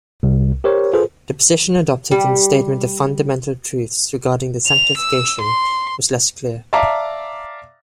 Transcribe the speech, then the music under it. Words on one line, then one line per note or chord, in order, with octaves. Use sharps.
The position adopted in the Statement of Fundamental Truths regarding sanctification was less clear.
C2
G4 A#4 C5 C#5
F4 G#4 A4 B4 C5
G3
F7
E6
C6
D5 E5 F5 A5 A#5 D6